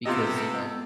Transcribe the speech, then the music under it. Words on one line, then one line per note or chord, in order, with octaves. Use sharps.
Because, you know,
C3 B3 F4 G4 A4 D#5